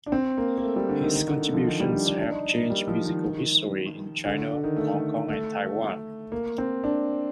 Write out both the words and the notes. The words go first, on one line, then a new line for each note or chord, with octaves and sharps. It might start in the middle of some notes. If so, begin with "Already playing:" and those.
His contributions helped change musical history in China, Hong Kong and Taiwan.
D4
C4
A#3
A#3
A3
G3
D3
D#3
D#3
D3
D3
F3
D#3
G3
D4
D4
D4
D#4
A#3
G3
F3
D#3
D3
D3
D#3
A3
A3
A#3
C4
D4